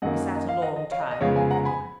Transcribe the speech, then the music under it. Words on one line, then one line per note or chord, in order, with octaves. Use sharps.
We sat a long time over dinner.
F#2 D#3 F#3 A#3 D#5 F#5
D#5
F5
D#5 F#5
D#5
C#5 F5
D#5
D#5
F2 C#3 G#3 B3 C#5 F5
F5 G#5
F#5 A#5
G#5 B5